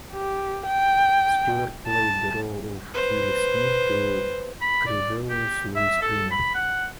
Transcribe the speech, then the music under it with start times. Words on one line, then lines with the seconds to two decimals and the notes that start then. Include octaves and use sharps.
Stewart played the role of Keely Smith to Crivello's Louis Prima.
0.12 G4
0.66 G5
1.87 A5
2.94 B4 C5
4.61 B5
4.86 D5
5.29 G4
5.76 E5
6.02 A4
6.31 B5
6.55 F#5